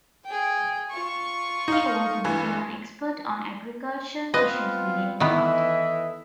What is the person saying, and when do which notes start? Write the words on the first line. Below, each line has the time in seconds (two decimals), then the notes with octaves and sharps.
He also became an expert on agricultural issues within his party.
0.25 G#4 G5
0.90 F4 C#6
1.68 D#4 F5
2.24 G2 E3
4.34 B3 C4 F4 B4 D#5
5.20 D#3 E3 B3 A4 D#5 E5